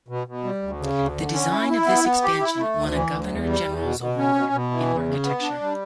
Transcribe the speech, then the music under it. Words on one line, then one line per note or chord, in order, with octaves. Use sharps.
The design of this expansion won a Governor General's Award in Architecture.
B2
B2
G3
D2
C#3
D2
D3
C#4
E4
E4
B3
B3
G4
E4
A3
D2
E3
D2
E2
G3
E2
B2
B2
C#4
B2
B2
E3
E2
C#3
B3
D4
G3